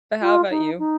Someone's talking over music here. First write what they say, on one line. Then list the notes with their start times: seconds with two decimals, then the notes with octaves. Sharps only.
But how about you?
0.21 F4
0.50 D#4
0.78 D#4